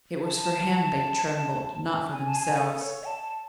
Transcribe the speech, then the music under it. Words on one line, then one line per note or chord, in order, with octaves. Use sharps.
It was for him they trembled, not for themselves.
A5
G#5
A5
G#5
A4
C#5
A5